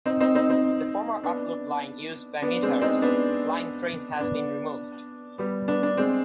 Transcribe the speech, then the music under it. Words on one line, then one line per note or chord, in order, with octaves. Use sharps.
The former up loop line used by Midhurst line trains has been removed.
C4 D#4
C4 D#4
C4 D#4
C4 D#4
B3 D4
B3 D4
G#3 C4
C4 D#4
B3 D4
B3 D4
G3 B3
B3 D4
B3 D4
G#3 C4